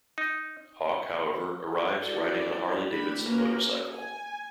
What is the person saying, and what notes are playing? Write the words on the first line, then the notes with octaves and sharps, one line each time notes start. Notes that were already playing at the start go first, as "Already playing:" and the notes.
Hawk, however, arrives riding a Harley Davidson motorcycle.
D#4
E4 F#4 A4 D5
A3 D4 G4 B5
A#3 C#4 F#4 A#4 B4
G#5